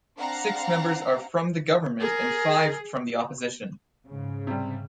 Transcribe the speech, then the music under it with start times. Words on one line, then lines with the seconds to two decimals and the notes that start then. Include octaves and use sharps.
Six members are from the Government and five from the Opposition.
0.18 C4 D4 F5 F#5 A#5
2.00 G#4 A#4
4.05 G#2 C#3
4.47 C3 G3